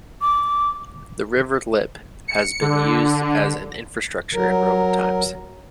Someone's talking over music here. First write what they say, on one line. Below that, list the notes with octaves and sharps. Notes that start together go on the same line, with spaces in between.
The river Lippe has been used as an infrastructure in Roman times.
D6
C#7
D3
D3
F#3 A#4